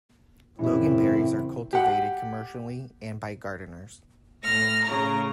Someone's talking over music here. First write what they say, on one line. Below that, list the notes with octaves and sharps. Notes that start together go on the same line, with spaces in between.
Loganberries are cultivated commercially and by gardeners.
F#2 A#2 C#3 E3 C4 E4
G4 F#5
A2 F6 A#6
A2 C#3 A#5